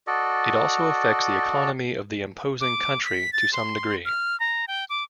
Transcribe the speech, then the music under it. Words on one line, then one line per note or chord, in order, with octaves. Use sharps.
It also affects the economy of the imposing country to some degree.
F#4 A4 D5 D#5
D6
B6
A6
C6
F6
A#5
G5
D6